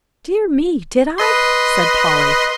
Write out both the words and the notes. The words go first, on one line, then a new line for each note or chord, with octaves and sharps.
"Dear me, did I?" said Polly.
B4 D#5 C6